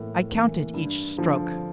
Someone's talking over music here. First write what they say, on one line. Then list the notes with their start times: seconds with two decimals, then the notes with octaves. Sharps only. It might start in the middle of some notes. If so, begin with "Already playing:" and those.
I counted each stroke.
Already playing: A2 E3 A#3
0.30 E3 A#3
0.74 G2
1.17 D3 F3